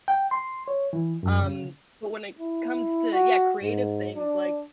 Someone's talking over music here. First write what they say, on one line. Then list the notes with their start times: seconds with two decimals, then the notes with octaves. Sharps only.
um, but when it comes to yeah, creative things, like,
0.08 G5
0.31 C6
0.68 C#5
0.93 E3
1.23 F#2
1.42 C#3
2.39 E4
3.12 F#4
3.62 G#2
4.15 D4